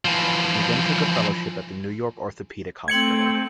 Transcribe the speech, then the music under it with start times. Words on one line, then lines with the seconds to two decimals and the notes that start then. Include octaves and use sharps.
He then took a fellowship at the New York Orthopedic Hospital.
0.05 E3 F3
2.88 A3 C4 G#6 C#7 F#7